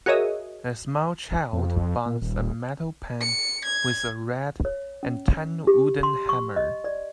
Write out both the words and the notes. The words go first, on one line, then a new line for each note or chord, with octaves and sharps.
A small child bangs a metal pan with a red and tan wooden hammer.
F#4 G#4 A#4 C#5 D#5 E5
F2
A#2
D#1
C#7
G#6
C#5
C#4
G4
C6
C#6
D#5
D5